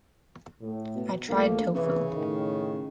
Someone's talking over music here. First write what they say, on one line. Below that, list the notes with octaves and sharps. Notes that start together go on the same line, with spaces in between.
I tried tofu.
A2
B2
A#1 A3 A#3
C2 C#3 E3
A2 D#3